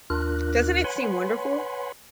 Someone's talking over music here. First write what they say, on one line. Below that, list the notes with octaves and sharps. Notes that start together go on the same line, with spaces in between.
Doesn’t it seem wonderful?
D#2 D4 F4 A#4 F#6
B4 C#5 F#5 G#5 B5 C6